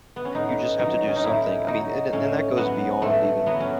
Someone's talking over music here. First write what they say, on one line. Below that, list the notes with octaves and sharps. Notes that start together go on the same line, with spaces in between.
you just have to do something. I mean, and th and that goes beyond even
B3
C#4
A2 D#4
F#3 D#4
C#4
D#4
A2 E4
F#3 D#4
A2 C#4
F#3 B3
A2 A3
F#3 B3
C#4